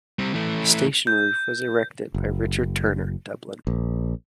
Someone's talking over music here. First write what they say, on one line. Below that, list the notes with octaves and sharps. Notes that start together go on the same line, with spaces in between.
The station roof was erected by Richard Turner, Dublin.
G3 C4
E3 A3
G6
F#1
A#1